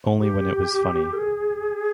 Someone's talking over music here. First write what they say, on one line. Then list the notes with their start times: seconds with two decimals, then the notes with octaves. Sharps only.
Only when it was "funny"!
0.20 G4
1.13 A#4
1.17 G#4